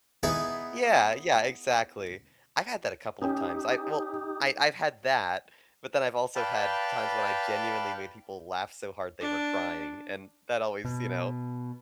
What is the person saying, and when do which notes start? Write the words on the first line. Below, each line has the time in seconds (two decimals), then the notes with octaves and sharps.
Yeah, yeah, exactly. I had that a couple of times, I well, I I've had that, but then I've also had times when I genuinely made people laugh so hard they were crying, and that always, you know,
0.23 B3 D#4 E4 G#4 B4
3.22 C#4 D#4 G4 G5
6.35 B4 D5 F5 G5 A5 B5
9.21 D4
10.85 B2